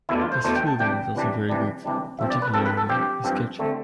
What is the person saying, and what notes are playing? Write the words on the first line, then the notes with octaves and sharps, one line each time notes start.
His fielding is also very good, particularly his catching.
E2 B2 A3 D4 E4
F4
C5
E2 B2 A3 D4 C5
G5
A5
C3 E3 G3 D4 G5
C3 E3 G3 D4
C3 E3 G3 D4
C3 E3 G3 D4
G2 F3 C4 E5
D5
B4
G2 F3 C4 A4
B4
A4
G2 F3 C4 G4
G2 F3 C4
D3 A3 C4